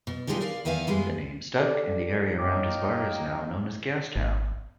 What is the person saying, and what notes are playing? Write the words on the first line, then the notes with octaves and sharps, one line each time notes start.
The name stuck and the area around his bar is now known as Gastown.
B2
F3 F#3 G#3 D4 D#4 G4
A#4 D5 F5
E2 D#3 B3 E5 F5 G#5
F#2 G3 G#3 B3
G4 A4 D5
F#2 A#3 D#4 C#5 G5 D6
G#1